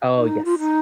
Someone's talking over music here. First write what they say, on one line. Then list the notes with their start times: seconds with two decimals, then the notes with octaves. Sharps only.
Oh, yes.
0.16 D#4
0.45 F4
0.59 D#4